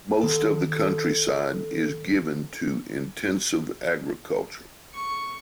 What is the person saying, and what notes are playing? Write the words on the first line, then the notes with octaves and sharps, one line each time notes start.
Most of the countryside is given to intensive agriculture.
D#3 A4
C#6